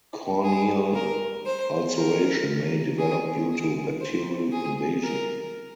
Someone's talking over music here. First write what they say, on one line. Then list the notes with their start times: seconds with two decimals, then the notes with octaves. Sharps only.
Corneal ulceration may develop due to bacterial invasion.
0.44 G#4
0.95 A#4
1.46 C5
1.97 A#4
2.99 G#4
3.50 G#4
4.01 C5
4.52 G#4
5.03 A#4